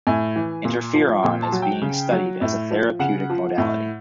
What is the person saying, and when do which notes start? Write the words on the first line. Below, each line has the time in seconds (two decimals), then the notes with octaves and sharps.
Interferon is being studied as a therapeutic modality.
0.07 A2 G#5
0.36 E3
0.65 A#2
0.94 F3
1.23 A#2 G5
1.42 A5
1.52 F#3
1.62 G5
1.82 C#3
2.11 F#3
2.41 A2
2.71 F3
2.99 C#3 F#5
3.30 F3
3.58 A2